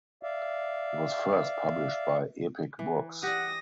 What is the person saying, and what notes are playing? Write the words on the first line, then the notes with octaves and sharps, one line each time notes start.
It was first published by Epic Books.
D5 E5 F5
E3
G4 D5 F#5 D#6 A#6